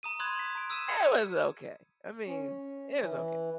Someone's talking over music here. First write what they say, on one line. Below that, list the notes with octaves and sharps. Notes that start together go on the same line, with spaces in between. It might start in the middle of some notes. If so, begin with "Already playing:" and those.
It was okay, I mean, it was okay,
A#5 D#6 D#7
B5 C6 D#6 F#6 G#6
B6
A#5 D7
D#6 E6 B6 D#7 E7
G#6 C#7
C#4
E3